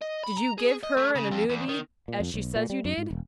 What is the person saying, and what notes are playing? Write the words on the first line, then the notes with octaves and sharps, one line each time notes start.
"Did you give her an annuity, as she says you did?"
D#5
B5
A#5
G#4
D#5
A3
C#3
F2
E2
D#3
A#2
F2
B1
A#2
G3
F#2
G#2
E1